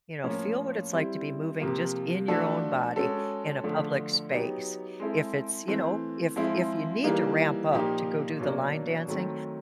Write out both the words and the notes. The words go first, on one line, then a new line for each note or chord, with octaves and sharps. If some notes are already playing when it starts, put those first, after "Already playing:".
you know, feel what it's like to be moving just in your own body in a public space. If it's, you know if if you need to ramp up to go do the line dancing,
A2 F3 A#3 C#4
G3 C4 E4
C3 F3 A#3
F3 A3 D4 F#4 A4
G#3 C#4 F#4 A4
D3 F3 A3
F#3 B3 D#4 G4
G#3 C4 E4 A4
E3 A3 C4
F3 G#3 C4 E4
E3 G3 A#3 D#4
A#2 F3 A#3 D#4 G4
B2 F#3 A#3 D4
D#3 F#3 A3 C4